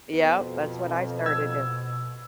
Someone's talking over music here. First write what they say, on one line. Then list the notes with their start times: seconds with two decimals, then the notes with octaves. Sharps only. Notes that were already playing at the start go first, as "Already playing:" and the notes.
Yup, that's what I started to
0.12 F2 B2
1.26 E6 G#6